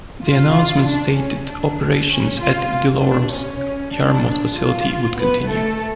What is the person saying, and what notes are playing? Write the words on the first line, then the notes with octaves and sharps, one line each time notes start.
The announcement stated operations at DeLorme's Yarmouth facility would continue.
F4
D4
C#4
D4
C#4
F4
D4
C#4
D4
F4
B3 B4
A3 A4